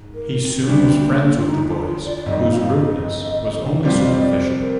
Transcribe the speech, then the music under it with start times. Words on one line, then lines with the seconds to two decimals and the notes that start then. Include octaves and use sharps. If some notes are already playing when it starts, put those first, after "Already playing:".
He soon was friends with the boys, whose rudeness was only superficial.
Already playing: G#2
0.14 A#4
0.42 C4
0.67 D2 D3 G3 C4
0.94 A#3
1.19 A#3
1.36 F4
1.46 D#4
1.61 D#4
1.66 F4
1.86 F4
2.05 D5
2.16 D5
2.25 G1 F2 D#3 G3 D#5
2.51 F5
2.77 D#5
3.82 F2 C3 G3 C4 F4 D5
4.02 D#5
4.22 D5
4.42 C5
4.61 A#4